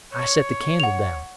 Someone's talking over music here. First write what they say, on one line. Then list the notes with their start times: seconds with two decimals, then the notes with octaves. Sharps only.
I set the candle down.
0.13 C#5
0.80 F#5 F7